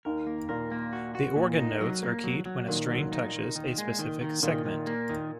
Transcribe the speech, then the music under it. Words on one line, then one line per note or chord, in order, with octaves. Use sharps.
The organ notes are keyed when a string touches a specific segment.
D#2 D#3 A#4
A#3
A#2 A#4
A#3
F#4
F#4
A#2
D#4
F#3
A#3
F#3
F#3
A#2 D#3
F#3
D#4
D#3
D#3
G#3
D#3
D#3
A#2 D#3
D#3
A#3
D#3